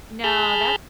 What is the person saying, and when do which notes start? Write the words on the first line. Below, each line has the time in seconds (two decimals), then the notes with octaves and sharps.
No, that's
0.24 G#4 A5 B5 F6 G6